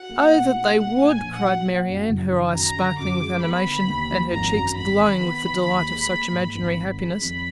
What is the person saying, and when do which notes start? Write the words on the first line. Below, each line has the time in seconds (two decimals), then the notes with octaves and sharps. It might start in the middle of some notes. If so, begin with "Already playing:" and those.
"Oh that they would!" cried Marianne, her eyes sparkling with animation, and her cheeks glowing with the delight of such imaginary happiness.
Already playing: F#4 F#5
0.09 A#3
0.31 B2
0.54 D#4
0.76 A#3 F#5
0.99 A#2
1.06 G#5
1.21 A#1
1.35 F#5
1.42 F#3
1.64 A#3
1.87 F#2
2.09 F#1
2.32 D#3
2.54 F#2 A#5
2.77 D3
2.98 F#2 D6
3.21 G#3
3.43 B3 B5
3.66 D3
3.87 D#2
4.09 F3
4.32 G#1 A#5
4.54 F#2
4.76 G#1 B5
4.99 D#3
5.20 B3
5.43 D#3
5.66 D#2
5.87 G#3
6.10 A#3
6.32 G#2
6.54 G#1
6.76 D#3
6.99 G#3 B5
7.21 F2